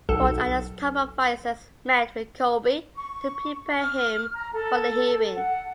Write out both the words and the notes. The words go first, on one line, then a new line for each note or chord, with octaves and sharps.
Ford and his top advisers met with Colby to prepare him for the hearing.
B1 A4
C#6
F6
A#5
A4
F#5